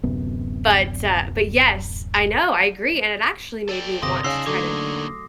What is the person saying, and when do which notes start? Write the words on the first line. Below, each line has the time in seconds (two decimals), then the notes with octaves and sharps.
but, uh, but yes, I know. I agree. And it actually made me want to try to
0.03 D1 F#2 C3 B3
3.69 A4 D5 G5
4.02 G1 C3 C6 D6 D#6 A#6
4.24 C#3 D4 D#4 F5 G#5 E6 C7
4.46 D3 F#3 A3 A#3 D#4 C#5 D6